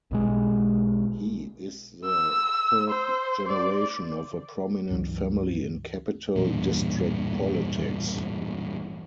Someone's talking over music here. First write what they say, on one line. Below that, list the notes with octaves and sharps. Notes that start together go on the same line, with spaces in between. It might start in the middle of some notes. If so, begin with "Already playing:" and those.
He is the third generation of a prominent family in Capital District politics.
B1 B2 G#3
E6
C5
D5
C#2 G2 E3 F#3
A1 E2 G2 A#2